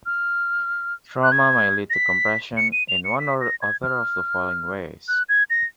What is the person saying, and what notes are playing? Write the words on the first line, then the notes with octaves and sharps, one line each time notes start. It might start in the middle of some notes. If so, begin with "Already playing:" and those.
Trauma may lead to compression in one or other of the following ways.
F6
F#6
G#6
A#6
B6
C#7
D#7
F7
C#7
B6
A#6
G#6
F6
F#6
G#6
A#6